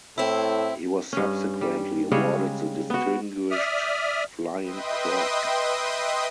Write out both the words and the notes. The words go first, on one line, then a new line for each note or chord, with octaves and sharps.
He was subsequently awarded the Distinguished Flying Cross.
A2 C4 E4
G2 C#4
G3
C#3 G3 G#3 C#5
B3 F#4
D5 E5 D#6 F6
B4 D#5 E5 G5 C6 D#6